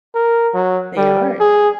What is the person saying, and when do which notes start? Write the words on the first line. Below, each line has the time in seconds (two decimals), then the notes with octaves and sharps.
They are.
0.15 A#4
0.54 F#3
0.97 G3
1.40 G#4